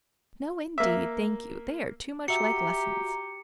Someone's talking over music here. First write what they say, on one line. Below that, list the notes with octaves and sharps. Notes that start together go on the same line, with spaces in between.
"No, indeed, thank you; they are too much like lessons."
A#3 E5
F#4 G4 E5 A#5 C#7